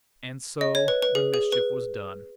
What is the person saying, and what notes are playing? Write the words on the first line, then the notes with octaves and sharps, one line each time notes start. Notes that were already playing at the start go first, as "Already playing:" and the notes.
And so the mischief was done.
D#5
C#5
B4
B4
G#4
G#4
B4